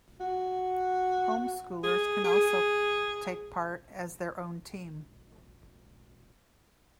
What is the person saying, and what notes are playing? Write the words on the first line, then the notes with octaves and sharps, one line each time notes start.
Home-schoolers can also take part as their own team.
F#4
G#4
G#4